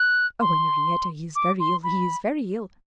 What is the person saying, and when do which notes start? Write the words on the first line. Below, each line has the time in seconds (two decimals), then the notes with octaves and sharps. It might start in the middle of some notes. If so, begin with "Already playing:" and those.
Oh, Henrietta! he is very ill--he is very ill!
Already playing: F#6
0.41 C6
1.35 D6
1.60 C6
1.84 B5